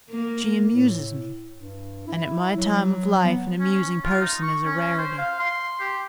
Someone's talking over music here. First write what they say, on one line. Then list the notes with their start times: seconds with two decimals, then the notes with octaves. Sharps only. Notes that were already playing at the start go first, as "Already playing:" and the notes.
"She amuses me, and at my time of life an amusing person is a rarity."
0.10 A#3
0.72 A2
1.56 G2
2.08 E4
2.57 F#3
3.24 B3
3.60 C#4
4.04 F4
4.21 D#4
4.42 C#6
4.64 C#4
4.98 C5
5.18 F5
5.40 C6
5.80 G4